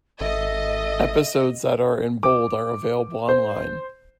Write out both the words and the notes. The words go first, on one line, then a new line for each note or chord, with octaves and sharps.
Episodes that are in bold are available online.
G#1 A4 D#5 E5
D6
C5